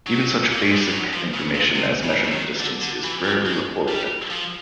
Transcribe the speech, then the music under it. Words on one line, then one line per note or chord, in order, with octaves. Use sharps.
Even such basic information as measurement distance is rarely reported.
F#3
A#3
A3
G#3
G3
F#3
F3
C#3
A#2
C3
C#3
D#3
D3
D3
E3
G3
G#3
G3
F3